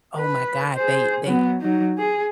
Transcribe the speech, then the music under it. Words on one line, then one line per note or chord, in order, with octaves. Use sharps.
oh my god, they they
B4
G#4 C5
F#3 B3
F#3 D#4
G#4